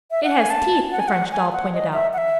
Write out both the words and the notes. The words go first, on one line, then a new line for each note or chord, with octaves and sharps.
"It has teeth!" the French doll pointed out.
E5
F#5
G#5
A5
F#5
G#5
F#5
G#5
F#5
D#5
E5
F#5
E5